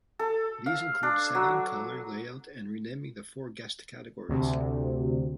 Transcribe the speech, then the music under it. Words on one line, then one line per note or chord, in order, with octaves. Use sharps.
These include setting, color, layout, and renaming the four guest categories.
A4
F5
D4
F#3
D2 C3